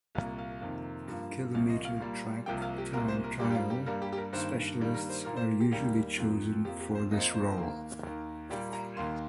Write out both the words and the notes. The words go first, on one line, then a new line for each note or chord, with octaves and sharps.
Kilometre track time trial specialists are usually chosen for this role.
C2 A#2 A#3 F5
F5
F2 C3 D#3 A#3
G2 F3 A#3
C2 A#2 F3 F5
D#5
F5
A#2 G3 A#3
C2 C3 F3 A#3 G5
F5
G4
C2 A#2 A#3 A#4
C5
A#4
G2 G3 A#3 G4
G4
F4
G4
G2 G3 A#3 A#4
G4
G4
A#4
G2 D#3 A#3 C5
G2 D#3 G3 A#3
A#4
C5
A#2 A#3 A#4
C5
G4
D#2 D#3 G3 A#3 G4
F2 F3 A#3
F2 F3 A#3 G4
G4
C5
F2 F3 A#3 D#5
C5
D#5
C5
D#2 D#3 A#3
D#2 D#3 A#3
A#2 G3 A#3 G4
A#5
D#2 D#3 A#3 C6